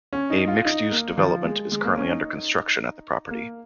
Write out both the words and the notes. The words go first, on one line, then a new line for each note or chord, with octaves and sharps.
A mixed-use development is currently under construction at the property.
C#4
D#4
F4
D#4
A#3
F3
G#3
G#3
A#3
C#4
D#4
A#3